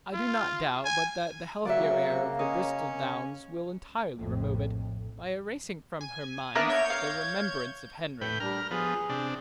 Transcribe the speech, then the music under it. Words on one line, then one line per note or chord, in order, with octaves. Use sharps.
I do not doubt but that the healthy air of the Bristol downs will intirely remove it, by erasing from her Mind the remembrance of Henry.
F4
G#5
C#3 F#3 A#3 D5 E5
C#4 D#5
A#1 F2 A2
G#5
A#3 B3 D4 A#4 E5 D6
C#5 G6 G#6
F5
A2 B4 G5
G3 D4 A#4 F6
F3 B3 G#4
C3 D4